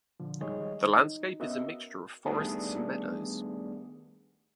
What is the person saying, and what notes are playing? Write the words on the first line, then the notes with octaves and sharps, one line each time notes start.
The landscape is a mixture of forests and meadows.
A#2 D3 F3
D#3 G3 G#3 G#4 C#5 D#5
D#4
B3 C#4 F#4 A#4 D#5 E5
D#3 G3 A3 B3 D4 G#4